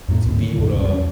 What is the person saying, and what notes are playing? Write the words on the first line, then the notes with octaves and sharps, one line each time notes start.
to be able to
F2 A2 A3 A#3
D2 G#2 C4
D#3 F#3
C2 F#2 A#2 D#3
D#1 C2 F#2 C#4
E2 F3 B3 C#4